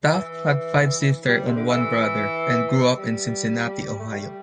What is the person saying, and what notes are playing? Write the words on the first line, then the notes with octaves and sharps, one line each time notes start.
Taft had five sisters and one brother and grew up in Cincinnati, Ohio.
E3
G3
C3
D3
E3
G3
A3
G3